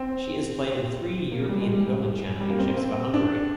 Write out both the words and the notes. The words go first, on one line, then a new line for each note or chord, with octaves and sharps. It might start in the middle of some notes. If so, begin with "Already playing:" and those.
She has played in three European Curling Championships for Hungary.
Already playing: C4
A#3
G3
G#3
G3
G3
A#3
C4
A#3
C4
D4